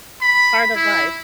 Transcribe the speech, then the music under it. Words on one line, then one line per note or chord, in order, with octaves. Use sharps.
part of life.
B5
E4